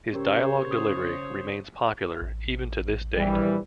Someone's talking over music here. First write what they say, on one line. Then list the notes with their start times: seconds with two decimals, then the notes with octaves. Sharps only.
His dialogue delivery remains popular even to this date.
0.13 C#3 C#4 G4 A#4 C5 C#5
0.71 D#6
2.22 A1
3.17 A#1 E3 G3